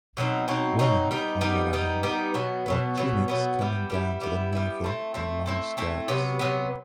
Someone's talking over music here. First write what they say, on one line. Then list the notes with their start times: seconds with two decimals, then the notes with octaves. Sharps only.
Women, on the other hand, wore tunics coming down to the navel and long skirts.
0.17 B2 F#3 C4 D#4
0.48 B2 F#3 C4 D#4
0.79 B2 F#3 C4 D#4
1.11 G3 B3 D#4
1.41 G3 B3 D#4
1.73 G3 B3 D#4
2.03 G3 B3 D#4
2.34 B2 F#3 B3
2.66 B2 F#3 B3
2.97 B2 F#3 B3
3.28 B2 F#3 B3
3.59 G3 B3 E4
3.90 G3 B3 E4
4.21 G3 B3 E4
4.53 G3 B3 E4
4.84 A3 C4 E4
5.14 A3 C4 E4
5.46 A3 C4 E4
5.77 A3 C4 E4
6.08 C3 F#3 B3
6.39 C3 F#3 B3